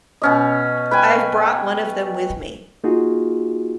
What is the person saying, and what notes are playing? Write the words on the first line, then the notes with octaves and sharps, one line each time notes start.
I have brought one of them with me.
B2 C#4 D#5
B4 G5 G#5
A#3 D#4 F4 F#4 G#4